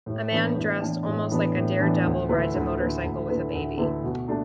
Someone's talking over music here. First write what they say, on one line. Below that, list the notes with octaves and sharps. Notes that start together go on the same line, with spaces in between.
A man dressed almost like a daredevil rides a motorcycle with a baby.
A2
E3 B3 D4
A2
E3 B3 D4
A2
E3 B3 D4
A2
E3 B3 D4
D2
D3 A3 E4 B4
D2
D3 A3 E4 B4
D2
D3 A3 E4 B4
D2
D3 A3 E4 B4
B2
A3 D4